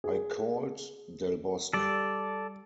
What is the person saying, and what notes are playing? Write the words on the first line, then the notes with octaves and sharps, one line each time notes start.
I called Del Bosque.
G#4
G3 A4 D5